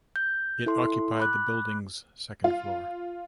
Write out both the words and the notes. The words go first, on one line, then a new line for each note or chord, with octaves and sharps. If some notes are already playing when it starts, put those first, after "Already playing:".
It occupied the building’s second floor.
G6
E4 A4 C6
B5 D6 F#6
F4